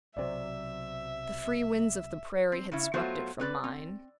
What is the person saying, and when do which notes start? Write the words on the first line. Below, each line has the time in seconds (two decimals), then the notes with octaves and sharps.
The free winds of the prairie had swept it from mine.
0.17 B1 C3 F#3 C5 D5 E5
2.52 C4
2.72 C#3 C#4 E4
2.94 F#3 A3 B3 F4 F#4 C5
3.40 C4 B4 D5
3.64 C4